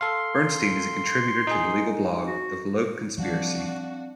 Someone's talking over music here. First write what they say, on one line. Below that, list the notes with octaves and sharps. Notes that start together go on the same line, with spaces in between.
Bernstein is a contributor to the legal blog, The Volokh Conspiracy.
A4 F5 C6
D#4 G#4
F#4
F3 G3 C4 D4 F#4 F5